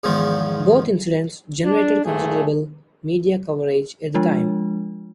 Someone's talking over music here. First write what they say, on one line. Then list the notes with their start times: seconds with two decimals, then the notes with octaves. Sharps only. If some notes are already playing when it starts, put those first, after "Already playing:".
Both incidents generated considerable media coverage at the time.
0.04 E2 G#2 D#3 F3
1.63 D4
2.05 A#1 G2 A3 G#4
4.15 F3 G#3 D4 F4